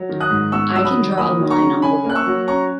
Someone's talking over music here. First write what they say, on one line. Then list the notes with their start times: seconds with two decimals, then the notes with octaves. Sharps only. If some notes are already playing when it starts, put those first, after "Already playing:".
I can draw a line on the wall.
Already playing: F#3
0.09 D#3
0.21 D#6 F#6
0.30 G#2
0.52 B3 C#6 E6
0.74 F#3 E6
0.85 B5 D#6
0.96 D#3
1.17 A#3 B5 D#6
1.39 F#3
1.50 A#5 C#6
1.61 C#3
1.82 C#4 G#5 B5
2.04 A#3
2.10 F#6
2.15 C#6 E6
2.26 F#3
2.47 C#4 A#5 C#6